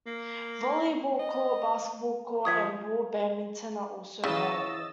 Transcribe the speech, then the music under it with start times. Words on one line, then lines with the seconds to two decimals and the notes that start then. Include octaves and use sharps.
Volleyball court, basketball court and ball badminton are also available.
0.06 A#3
1.20 D#5
2.45 F3 D#6 G#6 B6
4.24 C#3 E3 C#5 D#5 E6 A6